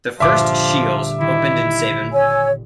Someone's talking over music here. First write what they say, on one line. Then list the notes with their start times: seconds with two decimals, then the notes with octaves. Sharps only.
The first Scheels opened in Sabin.
0.20 G1 A#2 F3 E5 D6
1.21 D#3 E4
2.12 C#5 G#5 E6